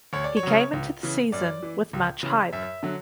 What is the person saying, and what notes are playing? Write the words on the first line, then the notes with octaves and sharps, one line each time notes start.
He came into the season with much hype.
D2 C#5
D5
C#5
C#3 F#3
C#2
C#3 E3
F#2 D5
E3
C#2
C#3 E3
F#2 E5
D3 F#3